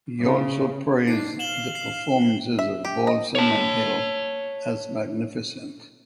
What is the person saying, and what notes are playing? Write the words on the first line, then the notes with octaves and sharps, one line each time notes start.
He also praised the performances of Balsam and Hill as "magnificent".
C#3
D4 D#4 C7
F5 E7 F#7 G7
C7
E5
G4
D#5
C#5 A5